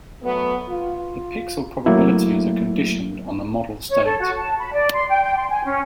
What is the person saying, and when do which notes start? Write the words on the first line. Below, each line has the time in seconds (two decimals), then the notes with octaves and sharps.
The pixel probabilities are conditioned on the model state.
0.23 F#3 A3 B3
0.68 F4
1.86 F#3 A3 A#3 E4
3.90 C#5
4.04 A4
4.20 F#4
4.36 A5
4.59 B5
4.73 D5
4.93 C6
5.09 G5
5.23 G5
5.37 C6
5.49 G#5
5.64 C#4